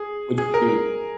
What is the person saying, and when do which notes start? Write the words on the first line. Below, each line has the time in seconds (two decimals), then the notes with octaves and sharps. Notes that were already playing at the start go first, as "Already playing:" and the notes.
Would you
Already playing: G#4
0.38 G#4
0.54 A#4
0.69 A#4